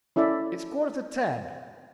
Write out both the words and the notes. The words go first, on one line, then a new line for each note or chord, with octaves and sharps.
"It's quarter to ten."
C#4 E4 A4 D5 E5